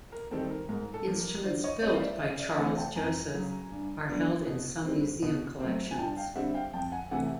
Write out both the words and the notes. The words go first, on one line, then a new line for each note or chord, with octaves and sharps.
Instruments built by Charles-Joseph are held in some museum collections.
A#4
D#3 G3 C4 A4
A#4
G#2 A#4
A4
F3 A#3
A#4
D3 C5 D5
C#5 D#5
G3 C4 C#5 D#5
F5
D5 E5
C#3 D#5 F5
D5 E5
E3 A3 C4 F#5 G#5
G5 A5
F2 G#5 A#5
C#3 F#3
G2
D3 F#3 B3 D4
B2
G3 C4
B2
F#3 A3 C4
G#5
G2 G5 A5
F5 G5
D3 G3 C4 E5 F#5
F5 G5
F2 G5 A5
F#5 G#5
C3 E3 A3 F#5 G#5